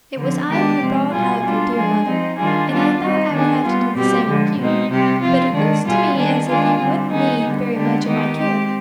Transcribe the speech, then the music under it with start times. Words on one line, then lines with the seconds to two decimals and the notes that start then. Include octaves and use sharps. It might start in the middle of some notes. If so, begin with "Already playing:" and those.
It was I who brought up your dear mother, and I thought I would have to do the same with you; but it looks to me as if you wouldn't need very much of my care.
0.16 D3 F3 C4
0.48 D#3 G#3 B3 D4 G4
0.79 C3 F3 G#3 C4
1.11 B2 G3 B3 F4 G#4
1.42 G3 D4 F4
1.74 F3 G#3 D4 G#4
2.05 F3 C4 D#4
2.37 D#3 G3 D4 F4 G#4
2.69 G3 B3 D4 F4
3.00 G3 C4 D#4
3.32 D#3 B3 D4 G#4
3.63 G3 B3 F4
3.95 B2 G3 C4 G4
4.27 D3 F3 G#3
4.59 B2 G#3 C4 D#4
4.89 C3 G3 C4 G4
5.21 F3 C4 F4
5.53 D#3 G#3 D4
5.85 B2 G3 B3 F4 G#4
6.16 D#3 B3 D4 G#4
6.48 D#3 G#3 D4 F4 G#4
6.79 D3 G3 C4
7.11 D#3 B3 D#4 G#4
7.42 D3 G3 B3
7.74 D3 G#3 B3 D4 G4
8.06 D#3 B3 D#4 G4
8.38 G#3 C4 G4